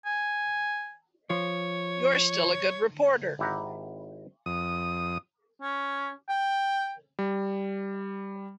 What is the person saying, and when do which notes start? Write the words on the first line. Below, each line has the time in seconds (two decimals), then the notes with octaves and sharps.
You're still a good reporter.
0.05 G#5
1.30 F3 C#5
3.39 G#1 E4 G4 F#5 A#5
4.46 F2 D#6
5.62 C#4
6.29 G5
7.19 G3